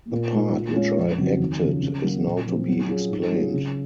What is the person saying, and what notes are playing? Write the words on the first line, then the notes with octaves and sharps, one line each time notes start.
The part which I acted is now to be explained.
A#2
G#3 D#4
A#2
G#3 C#4 F4
F2
C#3 F#3 C4 F#4
D#2
C#3 F3
C#3
F#3 A#3
A#2
F3 C4
F#3
C#4 F4 G#4
G#2
F#3 C#4 F4 G#4
C#3